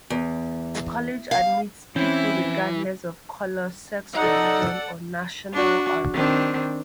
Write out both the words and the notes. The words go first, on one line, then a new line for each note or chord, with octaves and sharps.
The College admits people regardless of color, sex, religion, or national origin.
E2
F5
E3 C4 C#4 E4
D#4 A4 D5 F#5
D4 F#4
D#3 C4 D4